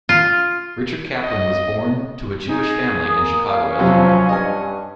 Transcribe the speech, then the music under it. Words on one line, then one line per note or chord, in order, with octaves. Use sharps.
Richard Kaplan was born to a Jewish family in Chicago, Illinois.
F4
D#5
D#4 G#4
A#3 D#6
C#4 F5
F#2 C3 F3 F#3
G2 D#5 G#5